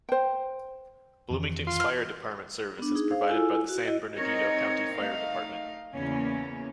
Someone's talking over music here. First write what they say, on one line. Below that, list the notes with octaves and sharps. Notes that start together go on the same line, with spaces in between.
Bloomington's fire department service is provided by the San Bernardino County Fire Dept.
C5 G5
F2 D#3 E3
F4 C6
F6
B3 D4
D#4 G#4
G#4 C5 F5
E4 F4 A4 G#5 E6
F#4
E4 D#5
C4 D#4 A#4 C#5
A3 D#4 F5
E2 C#3 A#3 C#4